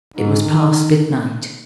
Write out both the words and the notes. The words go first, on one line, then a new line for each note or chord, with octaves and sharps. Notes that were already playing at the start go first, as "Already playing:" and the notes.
It was past midnight.
G#2
D#3